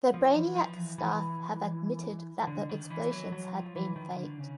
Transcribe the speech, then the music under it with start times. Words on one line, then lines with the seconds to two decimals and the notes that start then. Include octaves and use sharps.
The "Brainiac" staff have admitted that the explosions had been faked.
0.14 F3
0.35 E3
0.56 F3
0.77 E3
0.98 E3
2.47 D3
2.69 D#3
2.90 E3
3.12 F#3
3.32 F#3
3.54 F3
3.76 E3
3.96 D#3
4.17 D3
4.39 C#3